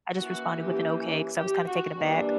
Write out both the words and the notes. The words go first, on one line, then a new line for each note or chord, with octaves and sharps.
I just responded with an okay 'cause I was kinda taken aback.
E3 A#3 C#4 F#4
G4
G4
F#4
E3 G3 A#3 D4